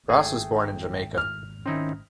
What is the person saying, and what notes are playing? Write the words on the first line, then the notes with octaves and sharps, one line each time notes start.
Ross was born in Jamaica.
G#1 A3 G#4 G5
F6
D#3 C4 C#4 D#4 E4